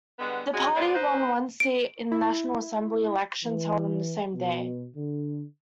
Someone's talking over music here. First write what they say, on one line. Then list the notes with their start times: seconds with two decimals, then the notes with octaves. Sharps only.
The party won one seat in National Assembly elections held on the same day.
0.19 D3 G3 G#3 B3
0.53 G#3 C#4 D#4 F#4 G#4
0.76 G#3 B3 C5 D5
0.94 D#4 B4 C5
1.60 D7
2.12 E4
3.45 E3
4.34 B2
4.95 D3